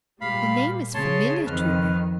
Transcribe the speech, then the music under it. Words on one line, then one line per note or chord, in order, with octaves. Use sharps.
The name is familiar to me.
A#2 G3 F5 B5
C#3 C#5 A5 C6
F2 D#3 B4 F6